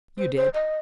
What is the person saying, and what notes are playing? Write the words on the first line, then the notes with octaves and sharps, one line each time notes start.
"You did."
C5
C5
D#5